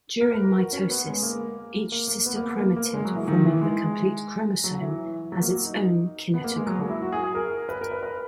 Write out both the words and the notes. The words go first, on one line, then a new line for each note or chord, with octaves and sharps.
During mitosis, each sister chromatid forming the complete chromosome has its own kinetochore.
A#4
B4
A#4
F#4
C#4
B3
G#3
A#3
A#3
A#3
B3
A#3
B3
A#3
A#3
G#3
F#3
E3
D#3
E3
G#3
F#3
E3
F#3
A#3
F#4
D#4
B3
A#3
G#3
F#3
A#3
E4
F#4
G#4
G#4
A#4
B4
A#4
B4
B4